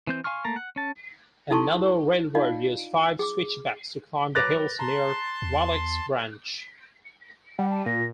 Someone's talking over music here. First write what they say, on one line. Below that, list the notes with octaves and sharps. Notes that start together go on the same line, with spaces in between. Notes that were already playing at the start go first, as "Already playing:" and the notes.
Another railroad used five switchbacks to climb the hills near Wallacks Branch.
E3 C4 G6
F5 G#5 C6 C#6 F6
A3 A#3 A5 A#5
F#5
C#4 A5
D#4 E4 A4 A5 C6 C#6
D#4 F4 D5 D#5 F5
G#4 D6
F#3 B4 D6 F#6 A6 A#6 F7
A5 A#5 C6
E2
G3 F#5
A5
A#2 A#6